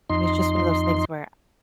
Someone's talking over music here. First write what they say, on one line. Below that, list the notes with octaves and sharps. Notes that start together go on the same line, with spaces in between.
it was just one of those things where
F2 D#4 C6